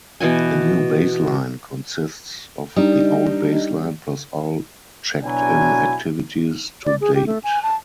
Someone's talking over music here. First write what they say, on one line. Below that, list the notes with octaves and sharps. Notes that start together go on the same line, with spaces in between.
A new "baseline" consists of the old baseline plus all checked-in activities to date.
B2 E3 F#4 G#5
G3 D4 D#4 D#5
B2 F#3 D4 E4 G#5
D5
G#4
G4
A3
G#5
A5